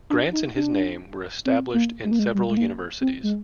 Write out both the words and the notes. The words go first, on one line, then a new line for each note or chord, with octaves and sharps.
Grants in his name were established in several universities.
D4
D#4
D4
C4
A#3
G#3
A#3
G#3
G3
G#3
A#3
C4
G#3